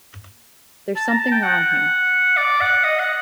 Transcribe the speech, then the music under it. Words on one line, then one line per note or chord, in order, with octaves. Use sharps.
There's something wrong here.
A5
A#5
A5
G5
F#5
D5
F#5
D#5
F#5